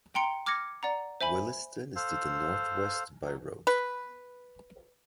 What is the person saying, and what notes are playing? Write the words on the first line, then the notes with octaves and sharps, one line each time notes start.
Williston is to the northwest by road.
G5 A#5 C6 C#7 D7
D6 F6 G#6 A#6 C#7
D5 F#5 A#5
C5 E5 G#5 B5
A4 C5 F5
F#3
B4